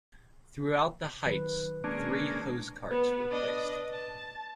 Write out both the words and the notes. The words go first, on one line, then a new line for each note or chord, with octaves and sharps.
Throughout the Heights three hose carts were placed.
D#3 F#3 B4
G#3 A#3 C#4 D4
B3 B4
D4 D#5
A5